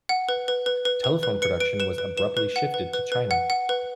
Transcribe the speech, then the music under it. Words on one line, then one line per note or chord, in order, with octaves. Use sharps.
Telephone production was abruptly shifted to China.
F#5
B4
B4
B4
B4
B4
B4
B4 C#7
B4 D7
B4 E7
B4
B4 E7
B4
F#5
B4
B4
B4
F#5
F#5
B4